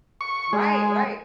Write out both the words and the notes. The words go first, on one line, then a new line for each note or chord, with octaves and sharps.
Right, right.
C#6
G#3